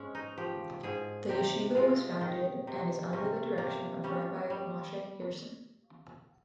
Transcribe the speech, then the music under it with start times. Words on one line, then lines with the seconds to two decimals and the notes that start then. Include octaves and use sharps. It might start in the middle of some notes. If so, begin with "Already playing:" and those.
The Yeshiva was founded and is under the direction of Rabbi Moshe Herson.
Already playing: G#2 G#3 C#4
0.15 D#4
0.38 F3 G4
0.83 G#2 G#4
1.29 C3 G4
1.75 G#3 F4
2.21 D#3 D#4
2.67 C3
3.13 C3 C#4
3.58 C3 A#3
4.04 G3 C#4
4.50 G3